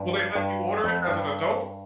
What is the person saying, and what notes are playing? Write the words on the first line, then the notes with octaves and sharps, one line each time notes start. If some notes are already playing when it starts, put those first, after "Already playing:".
Will they let you order it as an adult?
Already playing: G2
G2
F2
G2